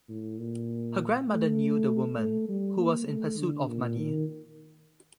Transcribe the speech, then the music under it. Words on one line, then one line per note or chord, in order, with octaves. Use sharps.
Her grandmother knew the woman, who was in pursuit of money.
A2
A#2
A3
A3
G3
A#3
A3
D3
A#2
D#3